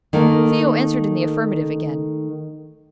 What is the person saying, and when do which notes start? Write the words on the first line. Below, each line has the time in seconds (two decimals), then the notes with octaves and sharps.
Theo answered in the affirmative again.
0.13 D#3 A3 A#3 A#4